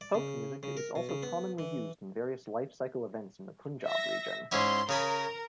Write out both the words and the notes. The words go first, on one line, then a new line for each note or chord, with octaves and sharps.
Folk music is also commonly used in various life-cycle events in the Punjab region.
D5
C#3
C#3
A#4
B2
C#3
B3
E3
E5 A#6
G#2 C#4 E4 C6
C#3 G#4 A#4 B5